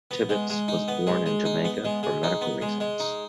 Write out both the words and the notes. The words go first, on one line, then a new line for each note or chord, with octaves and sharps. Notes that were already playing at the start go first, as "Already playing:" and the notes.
Tibbetts was born in Jamaica for medical reasons.
B3
G#3
G#3
D#4
B3
G#3
G#3
D#4
B3
G#3
G#3
D#4
B3
G#3
G#3
D#4